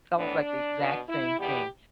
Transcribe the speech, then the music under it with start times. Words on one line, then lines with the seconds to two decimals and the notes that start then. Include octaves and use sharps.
it's almost like the exact same thing,
0.16 A2 E3 B3 D4
0.77 B2 B3
1.09 E4
1.39 E2 B2 G3 B3 G4